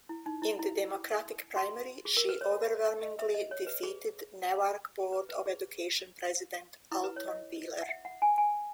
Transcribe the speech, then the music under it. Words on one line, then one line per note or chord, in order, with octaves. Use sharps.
In the Democratic primary she overwhelmingly defeated Newark Board of Education President Alton Wheeler.
E4
D#4
E4
E4
F#4
G#4
A#4
B4
C#5
D#5
E5
D#5
C#5
B4
G#4
B4
B4
G#4
E4
B4
C#5
D#5
F#5
E5
F#5
G#5
G#5